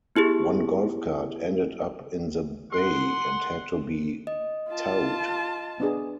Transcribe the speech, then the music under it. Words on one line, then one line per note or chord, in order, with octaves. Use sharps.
One golf cart ended up in the bay and had to be towed.
B3 E4 G4 G#4
F#5 C6
D#5
F4 A5
B3 D4 G#4